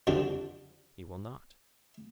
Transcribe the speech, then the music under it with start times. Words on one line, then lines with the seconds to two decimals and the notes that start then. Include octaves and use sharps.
He will not.
0.07 F2 D3 G3 D4